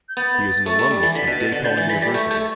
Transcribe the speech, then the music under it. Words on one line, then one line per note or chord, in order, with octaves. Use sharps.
He is an alumnus of DePaul University.
G6
B3 A6
A3
A3
G3
E3
D3 B6
B2
A6
B2
D3 A6
D3 G6
E3 A6
E3 B6
G3 A6
A3 G6
A3 A6